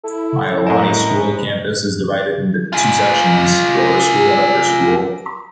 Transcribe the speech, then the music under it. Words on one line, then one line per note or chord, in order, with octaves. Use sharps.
Iolani School's campus is divided into two sections: Lower School and Upper School.
E4 A4
A2 A#4 D#5 E7
F4 G#4